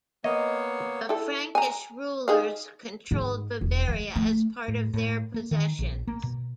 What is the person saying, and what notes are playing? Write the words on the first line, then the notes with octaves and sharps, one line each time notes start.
The Frankish rulers controlled Bavaria as part of their possessions.
A#3 B3 C#5 D#5
E4 A4
G#5 A#5
D#4 G#4 F5
G#2
E1
G#3
A3
A2
A2
A#3
D#3
A#1
A#3
B2